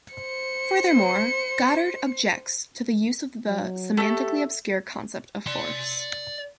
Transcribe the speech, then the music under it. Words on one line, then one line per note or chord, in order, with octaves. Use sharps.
Furthermore, Goddard objects to the use of the "semantically obscure concept of force".
C5 C#7
F#3
A3 G4 A4 E5
D5 C6